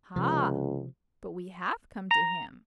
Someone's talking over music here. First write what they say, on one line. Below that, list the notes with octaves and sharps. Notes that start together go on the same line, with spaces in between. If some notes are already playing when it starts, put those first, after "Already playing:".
Ah, but we have come to him.
C#2 C3 F3
A#5